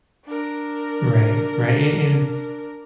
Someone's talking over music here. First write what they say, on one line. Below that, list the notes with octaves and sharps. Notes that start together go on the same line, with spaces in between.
Right, right, and and
D4 A#4